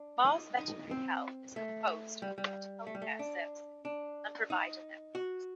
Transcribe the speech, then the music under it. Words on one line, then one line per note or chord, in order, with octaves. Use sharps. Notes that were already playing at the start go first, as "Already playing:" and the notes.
Mars Veterinary Health is composed of pet healthcare services and provider networks.
Already playing: D4
D#4
D#4
C4
A3
G3
G3
A3
G3
A3
D4
D4
D#4
F#4